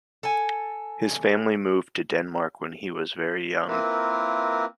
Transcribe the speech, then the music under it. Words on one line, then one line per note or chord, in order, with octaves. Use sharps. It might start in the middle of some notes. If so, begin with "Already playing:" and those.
His family moved to Denmark when he was very young.
A4 G#5
A#3 C4 E4 F4 A#4 B4